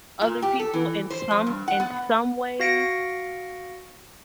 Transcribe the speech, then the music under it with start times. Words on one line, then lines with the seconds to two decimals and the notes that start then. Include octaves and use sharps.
other people in some in some ways
0.22 A#2
0.42 G4
0.59 A4
0.74 E3
1.10 C5
1.31 F2
1.47 G2
1.68 F#5
1.80 B3
2.60 F#4 F5 A#6 C#7 D7